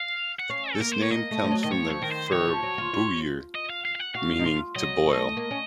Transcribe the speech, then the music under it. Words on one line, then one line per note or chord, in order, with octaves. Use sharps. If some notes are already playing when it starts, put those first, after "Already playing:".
This name comes from the verb "bouillir", meaning "to boil".
Already playing: F5
F#5
C#4 F5
A4
A#3 A#4
C5
C#5
A#3 D#5
A3
F3
F#3
D#3 D#5
F3 C#5
C#5
D#3 A#4
C5
D#3 C#5
F3
F#3
F4
F4
D#5
F5
F5
F5
F#5
F#4 F5
D#4
F4
F#3 D#5
A3
A#3
C#4